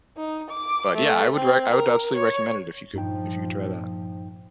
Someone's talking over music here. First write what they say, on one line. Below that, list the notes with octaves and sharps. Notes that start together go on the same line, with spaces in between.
But, yeah, I would rec I would absolutely recommend it if you could if you could try that.
D#4
D6
A3
C4
A#4
C#5
G2 A#2 F3 D#4 G5